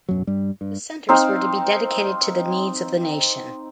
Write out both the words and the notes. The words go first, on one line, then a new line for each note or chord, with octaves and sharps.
The centres were to be dedicated to the needs of the nation.
E1 F#2 F#3
G2 G3
G2
C4 D#4 F5